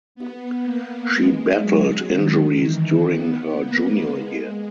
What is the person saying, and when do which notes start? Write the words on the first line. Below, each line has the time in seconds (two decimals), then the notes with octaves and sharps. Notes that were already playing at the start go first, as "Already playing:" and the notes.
She battled injuries during her junior year.
0.15 B3
0.64 A#3
1.13 G#3
1.63 F#3
2.12 D#3
2.62 E3
3.11 B3
3.60 A#3
4.09 G#3